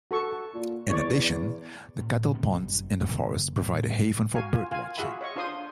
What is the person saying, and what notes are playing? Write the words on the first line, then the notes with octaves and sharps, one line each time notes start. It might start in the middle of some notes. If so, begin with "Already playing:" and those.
In addition, the kettle ponds in the forest provide a haven for bird watching.
F#4 A4 C#6
A#2
E2 C#5 D5
A2
A2 C3 D#3 G3
G1 F#2 G3
F#1
A2 G3 B3
F#4 F5 G#5
F4
F4 F5 G#5
F4 F#4 G#4 E5 F#5 B5
C#5 D#5 C#6
D4 F4 C5 C6 D#6